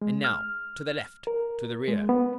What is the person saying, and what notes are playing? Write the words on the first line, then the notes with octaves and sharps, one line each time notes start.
And now--to the left! to the rear!
G#3
F6
A#4
G#3
B3